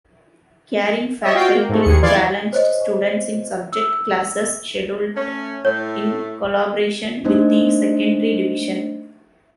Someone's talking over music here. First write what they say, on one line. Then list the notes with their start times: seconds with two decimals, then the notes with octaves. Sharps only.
Caring faculty challenged students in subject classes scheduled in collaboration with the secondary division.
1.23 C#5 D#5 E5
1.35 F4 F#4 F5 G5
1.55 A#3
1.69 G#2 A3
1.82 D#2 G#4 C#7
2.03 E3 D5 F5 C6 G#6
2.53 C5 C#5 D#5
3.73 E6
5.16 A3 C#4
5.65 A2 A3 C#5
7.25 A3 A#3 D4 D#4 C5 D#5